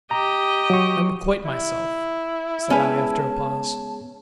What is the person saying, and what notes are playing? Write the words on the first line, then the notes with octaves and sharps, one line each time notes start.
'I am quite myself,' said I, after a pause.
G4 D#5 A#5
F#3 C#6
E4
G#3 B3 C#4 G#4 B4 A5